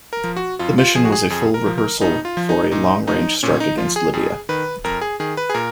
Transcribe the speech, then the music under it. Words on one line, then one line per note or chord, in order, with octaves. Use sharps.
The mission was a full rehearsal for a long-range strike against Libya.
A#4
F3
F#4
F2 F4
F4
F3 G#4
F#4
G#4
F2 G#4
A#4
F3
A#4
F2 D#4
F4
F3
D#4
A#2 D#4
F3 D#4
A#2 C#4
D#4
F3 F4
G#4
F2 G#4
D#3 B4
F2 A#4
G#4
D#3 G#4
B4
G#4
A#2 A#4